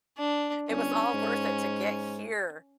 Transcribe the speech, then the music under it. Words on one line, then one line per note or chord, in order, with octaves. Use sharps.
It was all worth it to get here.
D4
G1 C#4
G#2